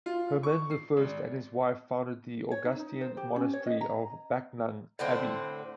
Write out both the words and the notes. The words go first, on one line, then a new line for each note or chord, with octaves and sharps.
Hermann the First and his wife founded the Augustinian monastery of Backnang Abbey.
F4
C#6
C7
G#1
C#5
D#4
D#4
C5
G4
C#4
C#5
D#5
A#5
A2 D3 C4